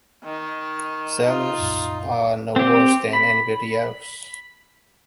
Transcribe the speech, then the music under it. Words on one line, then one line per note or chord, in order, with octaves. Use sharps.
Sailors are no worse than anybody else.
D#3
D#4 F4
C2 F#2 A#2
C4 G4
B5